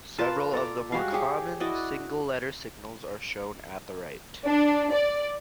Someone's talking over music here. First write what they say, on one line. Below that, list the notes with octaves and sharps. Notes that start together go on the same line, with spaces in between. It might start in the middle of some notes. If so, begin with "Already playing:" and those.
Several of the more common single-letter signals are shown at the right.
F4 A#4 B4 A5
A4 D5 A#5
G3 G#3 F#4 F5
G4 G#4 C#5
E4 F#4 D5 D#5
D4
D5